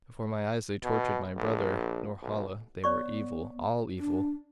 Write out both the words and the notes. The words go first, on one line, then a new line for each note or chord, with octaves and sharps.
Before my eyes they tortured my brother. Norhala--they were evil, all evil!
B2
A#1
B1
B3 C#5 D5 C#6
D4